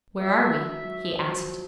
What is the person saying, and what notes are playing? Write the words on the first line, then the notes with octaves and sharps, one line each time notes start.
'Where are we?' he asked.
F#3 E5
F#3
F3
F#3